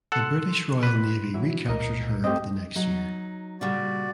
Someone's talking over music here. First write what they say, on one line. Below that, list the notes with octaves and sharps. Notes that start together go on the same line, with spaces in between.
The British Royal Navy recaptured her the next year.
A4 F#5 C6 F#6
B4
E3 F#3 E4
C#2 A#2 G#3 A#3 A#4 D#5
A3 C4 G4 D#5
F#3 D#4
A#2 C#3 G3 F#4 D5